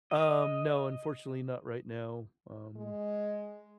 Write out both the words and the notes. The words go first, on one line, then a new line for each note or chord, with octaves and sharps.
Um, no, unfortunately, not right now, um
D#5
G#3